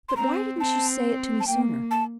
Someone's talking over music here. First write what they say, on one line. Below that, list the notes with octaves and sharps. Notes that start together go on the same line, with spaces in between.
"But why didn't you say it to me sooner?"
C6
C4 A#5
C4 A5
A5
A#3 G5
A5